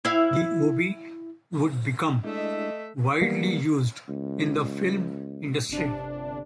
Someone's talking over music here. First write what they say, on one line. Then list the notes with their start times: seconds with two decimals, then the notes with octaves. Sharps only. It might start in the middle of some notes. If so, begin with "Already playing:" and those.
The Obie would become widely used in the film industry.
0.05 E4 E5 F5
2.24 G#3 A3 D4 E4 D#5 E5
3.21 D#3 G3 A#3 B3
4.09 C#2
5.69 G1 C3 D4